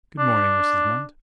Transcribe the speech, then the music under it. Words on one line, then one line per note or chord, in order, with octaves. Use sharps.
Good-morning, Mrs. Munt.
D4